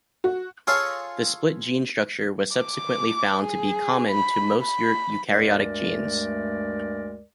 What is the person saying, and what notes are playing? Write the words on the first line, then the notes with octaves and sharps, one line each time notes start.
The split gene structure was subsequently found to be common to most eukaryotic genes.
F#4
F4 G#4 A4 C#5 F5
D6
G#4
B5
B5
D2 G2 G#3 A3 A#4 D5